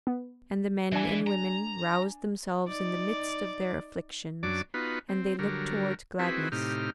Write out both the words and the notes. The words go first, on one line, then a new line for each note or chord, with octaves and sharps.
And the men and women roused themselves in the midst of their afflictions and they looked toward gladness.
B3
E3 D4 G#5
A#5
D#4 D5
F#2 F#3 D4 D5 D6
B3 D#4 F4 F#4 B4
C4
D3 F#3 G3 A#4
C4 E4 F#4 G#4 B4
A2 C3 D#4 G4 F6